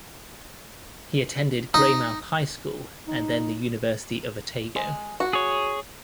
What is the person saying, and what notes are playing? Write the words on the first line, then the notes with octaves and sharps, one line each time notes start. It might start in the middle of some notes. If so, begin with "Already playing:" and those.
He attended Greymouth High School and then the University of Otago.
D#4
D#4
G#3
F#4
G#4 C#5